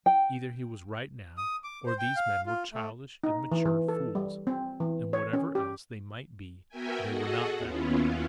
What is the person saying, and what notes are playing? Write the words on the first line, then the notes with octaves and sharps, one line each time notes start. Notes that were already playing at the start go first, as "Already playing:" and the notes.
Either he was right now, or these men were childish, immature fools--and, whatever else they might be, they were not that!
G5
D#6
D6
C5
G5
F5
F4
A3
D#4
E3
E3
A4
G3
C4
E3
C#5
C#4
G4
B3 F#4 A#4 E5 G5 G#5
F#4 G#4 A4 D#5 F#5
D#2 B3 C#4 E4 F4